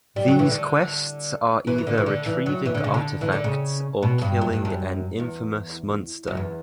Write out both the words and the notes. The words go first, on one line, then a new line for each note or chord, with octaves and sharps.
These quests are either retrieving artifacts or killing an infamous monster.
G3
F#3
E3
D3
E3
E3
D3
E3
D3
E3
F#3
E3
D3
C#3
D3
E3
D3
C#3
B2
G2
F#2
G2
F#2
E2
F#2
E2